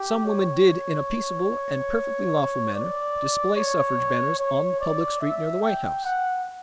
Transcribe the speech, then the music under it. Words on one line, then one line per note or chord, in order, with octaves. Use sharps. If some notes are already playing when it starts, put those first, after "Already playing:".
Some women did in a peaceable, and perfectly lawful manner, display suffrage banners on the public street near the White House.
Already playing: G4
C#5
D5
C#5
C#5
D5
E5
G5
F#5